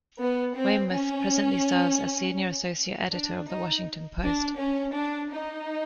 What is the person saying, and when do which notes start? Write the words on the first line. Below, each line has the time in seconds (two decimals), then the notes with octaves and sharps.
Weymouth presently serves as Senior Associate Editor of the Washington Post.
0.20 B3
0.56 C4
0.92 C#4
3.12 D4
3.49 D#4
4.22 D4
4.57 C#4
4.94 D4
5.30 D#4